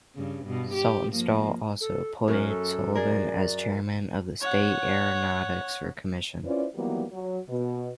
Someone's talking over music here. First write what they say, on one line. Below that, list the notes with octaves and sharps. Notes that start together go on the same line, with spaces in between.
Saltonstall also appointed Sullivan as chairman of the state aeronautics commission.
G2 C#3
G2 B2
G4
F3 A#3
A4
F#2 C#4 A#4
A4
G#4 A#4 D5
C#5 F#5
C#4 E4 F4 B4 C5 D5
D#3 E3 F#3 G3 A#3 B3
F#3
B2